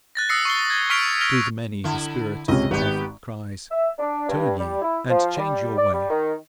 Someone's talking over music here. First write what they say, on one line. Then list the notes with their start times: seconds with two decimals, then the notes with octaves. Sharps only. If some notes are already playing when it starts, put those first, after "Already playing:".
To the many, the spirit of the prophet cries, 'Turn ye, and change your way!
0.15 F#6 A6 A#6
0.29 D#6 E6 F#6 A#6 C7 C#7
0.45 C#6 C7 G7
0.70 G#6
0.90 C#6 F6 B6 C7 D7 F7
1.21 F6 A#6 F7
1.84 D3 E4
2.48 C#2 C3 C#4 D#5
2.71 G#1 B3 G4
3.71 E5
3.99 D4
4.29 G2
4.58 G3
4.82 E4
5.10 F3
5.38 G3
5.77 D5
5.93 G3
6.10 D#3